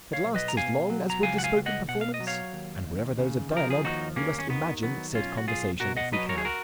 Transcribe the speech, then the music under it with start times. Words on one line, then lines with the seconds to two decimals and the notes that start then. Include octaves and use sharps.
It lasts as long as would the spoken performance, and wherever there is a dialogue we must imagine said conversation if we can.
0.13 C#5 F5
0.25 B1
0.35 B4 D#5
0.48 A#5
0.57 B2 F5 G#5
0.90 F#3
1.10 A#5
1.23 C#2 F5 G#5
1.38 F#5
1.44 F5 G#5
1.55 C#2
1.66 D#5 F#5
1.88 B2 F#5
2.01 F5
2.14 D#5
2.20 F#3
2.27 C#5 F5
2.53 D#2
2.86 D#2
3.18 C#3
3.51 F3
3.57 A#4
3.70 G#4
3.84 D#2 D#4 F#4
4.16 D#2 A#3 C#4
4.39 C#4
4.49 D#3 B3
4.83 F#3 B3
5.14 B1 C#4 F4
5.38 F#4
5.47 B1 F4 G#4
5.80 B2 F#4 A#4
5.97 D#5 F#5
6.12 F#3 B4 D#5
6.29 A#4 C#5
6.38 G#4
6.45 F#4 A#4